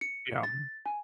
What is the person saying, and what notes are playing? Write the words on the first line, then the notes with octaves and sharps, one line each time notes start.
yeah, um
C#7
A6
G#5